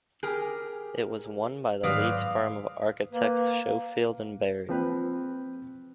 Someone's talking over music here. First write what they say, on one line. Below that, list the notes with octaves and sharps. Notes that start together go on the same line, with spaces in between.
It was won by the Leeds firm of architects Schofield and Berry.
G4 G#4 A#4 F6
G#2 D#3 F#3 B3 C4 G#4 D5 F5
A#3 B4
F3 C4 B4